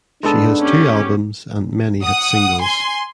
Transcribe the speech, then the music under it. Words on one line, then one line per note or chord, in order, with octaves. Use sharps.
She has two albums and many hit singles.
G#2 B3 D4 A4
C#4 G4
F#5 D#6
G#5 C6